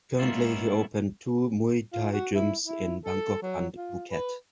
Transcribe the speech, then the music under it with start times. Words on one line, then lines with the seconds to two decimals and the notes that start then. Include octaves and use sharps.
Currently, he opened two Muay Thai gyms in Bangkok and Phuket.
0.19 G#3 A#3 B3 C#4 E4 F4
1.93 F4
2.13 F#4
2.35 E4
2.66 E4
3.05 A4
3.42 F#3
3.77 F4
4.11 B4